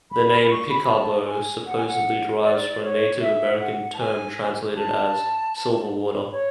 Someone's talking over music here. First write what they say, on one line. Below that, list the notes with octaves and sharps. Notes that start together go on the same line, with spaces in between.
The name "Picabo" supposedly derives from a Native American term translated as "silver water".
B5
B5
C#6
B5
A5
G#5
F#5
G#5
F#5
D5
C#5
E5
F#5
A5
G#5
A5
C#5